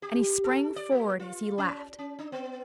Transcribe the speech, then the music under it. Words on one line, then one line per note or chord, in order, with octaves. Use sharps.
And he sprang forward as he laughed.
G4
A4
D5
A#3
F4
C#4
C#4
D4
B3